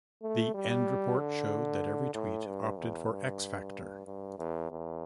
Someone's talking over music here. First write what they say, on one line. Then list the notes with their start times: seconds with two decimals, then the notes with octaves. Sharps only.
The end report showed that every Tweet opted for X-Factor.
0.23 A3
0.54 G3
1.18 D3
2.14 A2
2.46 G2
2.78 E2
3.11 G2
4.06 G2
4.39 E2
4.71 E2